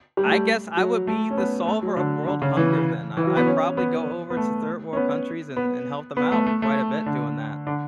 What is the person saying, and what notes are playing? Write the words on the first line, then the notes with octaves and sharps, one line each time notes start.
I guess I would be the solver of world hunger then. I I'd probably go over to third world countries and and help them out quite a bit doing that.
G3
A3
G3
F#3
A3
C#4
B3
A3
F#3
D3
D3
C#3
E3
E3
F#3
B3
C#4
B3
B3
A3
C#4
B3
B3
B3
A3
A3
A3
D3
D3